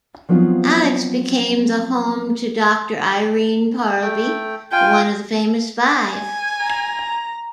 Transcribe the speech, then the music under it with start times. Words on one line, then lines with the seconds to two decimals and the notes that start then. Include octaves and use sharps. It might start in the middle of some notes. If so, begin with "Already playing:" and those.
Alix became the home to Doctor Irene Parlby, one of the Famous Five.
0.29 F3 F#3 B3 C4 D#4 F4
4.02 A3 G5
4.72 F4 G5 G#5
6.09 G#5
6.61 A#5